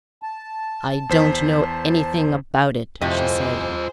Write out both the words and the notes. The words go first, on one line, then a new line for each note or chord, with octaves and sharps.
"I don't know anything about it," she said.
A5
E2 C5 B6
F2 A2 C3 F4 G4 G#4 C5 D#5